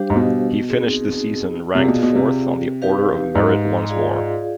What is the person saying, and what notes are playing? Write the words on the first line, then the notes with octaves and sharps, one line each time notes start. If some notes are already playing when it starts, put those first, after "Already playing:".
He finished the season ranked fourth on the Order of Merit once more.
Already playing: G3 D4 G4 C5 F5
G#2
B2
C4 D#4 G#4
C3 F4 G#4 D5 F5
B2
B2
C3
D#4 G4 B4 F5
G#2
F4 G#4 D5 F5